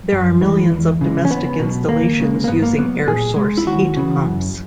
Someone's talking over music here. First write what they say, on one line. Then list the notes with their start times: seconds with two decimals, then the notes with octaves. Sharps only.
There are millions of domestic installations using air source heat pumps.
0.12 F#2
0.41 E3 G#3
0.71 E2
1.01 C#3 E3 G#3
1.25 C#4
1.30 C#2 B3
1.59 B2 F#3
1.89 D#2 A#3
2.19 C#3 G#3
2.44 A#3
2.48 G#2 B3
2.62 A#3
2.77 F#3 B3
3.08 A#2 G#4
3.36 G#3
3.58 E4
3.67 D#2 F#4
3.97 C#3 E3
4.25 F#2